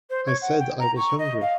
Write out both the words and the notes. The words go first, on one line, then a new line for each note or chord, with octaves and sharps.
I said, 'I was hungry.
C5
C#5
F#5
G5
A#5
C#6
D#5
F5